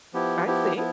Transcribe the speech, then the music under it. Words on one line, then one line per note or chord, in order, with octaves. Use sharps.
I see.
F3 B3 E4 G4
F3 B3 E4 G4
F3 B3 E4